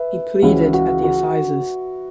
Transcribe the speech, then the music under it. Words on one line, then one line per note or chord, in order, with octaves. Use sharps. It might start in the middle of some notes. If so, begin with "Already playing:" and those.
He pleaded at the assizes.
Already playing: B4 E5
C#2 C#3 E3 C#4 E4 F#4
F#4
F#4